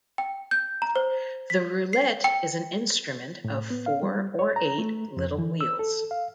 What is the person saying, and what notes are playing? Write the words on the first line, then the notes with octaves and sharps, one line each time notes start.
The roulette is an instrument of four or eight little wheels.
G5
G6
A#5
C5
B6
C7
G5
A2
B3
F5
G3
C#5
A#5
A3
F2
E3
E6
A4
F5